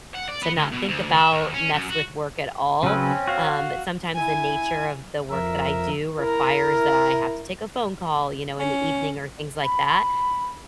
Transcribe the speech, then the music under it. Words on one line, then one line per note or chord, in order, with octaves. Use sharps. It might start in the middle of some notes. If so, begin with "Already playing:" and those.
to not think about mess with work at all. Um, but sometimes the nature of the work that I do requires that I have to take a phone call, you know, in the evening or things like that.
F#5
D5
B3
D2
B2
D2
E5
D#2
C#4
F#2
F#4
C#3 F#3 C4 C#4 B4
F#4 F5
E4 G#5
F2 A#4 E5
E4 A#4
C#4
B5